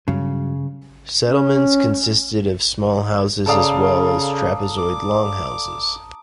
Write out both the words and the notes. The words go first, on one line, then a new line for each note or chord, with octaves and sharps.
Settlements consisted of small houses as well as trapezoid longhouses.
G2 C#3 F#3
C#4
C#3 A4 D5 F5 A5 A#5 D#6
D6